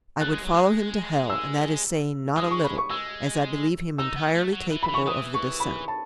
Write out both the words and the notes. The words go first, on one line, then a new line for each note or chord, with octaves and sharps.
"I would follow him to hell, and that is saying not a little, as I believe him entirely capable of the descent."
A3 F#6
G#3
F#3
G#3
E6
G#3 D#6
C#6
B5
C#6
G#3 E6
D#4 E6
B3
A3
F#3
E3
B5
E3
C#6
E3 D#6
C#6
B5
A5